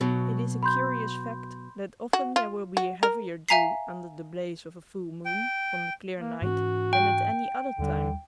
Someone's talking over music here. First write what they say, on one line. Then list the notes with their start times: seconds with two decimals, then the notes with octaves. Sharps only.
It is a curious fact that often there will be a heavier dew under the blaze of a full moon on a clear night than at any other time.
0.01 B2 F#3
0.63 B5 C6 G6
2.13 F#4
2.36 F4
2.77 F#4
3.03 A#4
3.49 E5 F5 G#5 A#5 B6 C7
5.26 G5
6.19 A#3
6.42 G#2 E3 C#4 F#4
6.93 G5
7.79 D#2 D3 G3